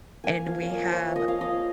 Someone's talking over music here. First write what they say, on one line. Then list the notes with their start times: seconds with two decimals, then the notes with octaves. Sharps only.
and we have
0.24 A#3 G#5
0.46 F3 F5
0.62 C#5
0.69 A#3 D#5
0.92 F3 C#5
1.16 A#3 D#5
1.28 F5
1.39 F3 D#5